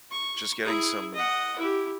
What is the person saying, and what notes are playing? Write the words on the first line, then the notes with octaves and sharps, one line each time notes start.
just getting some
C#6
E4 G#4
D#5 F#5
E4 G4